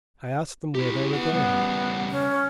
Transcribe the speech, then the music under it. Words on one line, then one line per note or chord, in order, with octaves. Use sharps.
I asked them where they were going.
E4 G4
G#4
B3 E4 F#5
C#3 G3
C#4